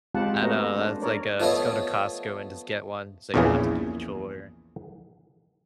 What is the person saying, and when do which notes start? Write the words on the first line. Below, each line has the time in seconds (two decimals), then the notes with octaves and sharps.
I know that's, like, uh, just go to Costco and just get one, so you don't have to do the chore.
0.15 G#3 C4 F4 G4 F#5 A5
0.42 A3 B3 F#4 A#4 D#5
0.73 D4 C5
1.02 D#4 A#4 C#5 D5
1.40 F3 A3 B3 C#5 D#5
3.34 A#1 E2 A#2 C#3 E3 G#4